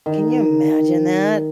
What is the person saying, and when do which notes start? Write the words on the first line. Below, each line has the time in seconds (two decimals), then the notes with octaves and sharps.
Can you imagine that?
0.06 D#3